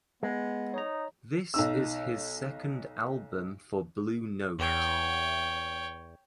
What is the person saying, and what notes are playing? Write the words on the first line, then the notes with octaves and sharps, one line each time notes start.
This is his second album for Blue Note.
G#3 B3
D#4 C#5 A#5
B1 D#4 E6
E2 C#5 G5